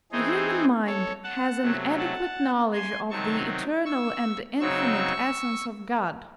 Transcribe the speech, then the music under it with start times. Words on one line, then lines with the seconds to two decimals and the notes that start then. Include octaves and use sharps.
The human mind has an adequate knowledge of the eternal and infinite essence of God.
0.12 E3 C4 D#4 G#4 C5
0.86 A4 C#5
1.24 F#5 A5
1.61 C3 F#3 A3
1.98 F#5 A5
2.73 G#5 C6
3.10 C3 D#3 F#3 C4 D#4 A5 C#6
3.85 C#6 E6
4.60 C#3 F#3 C4 D#4 C#6 E6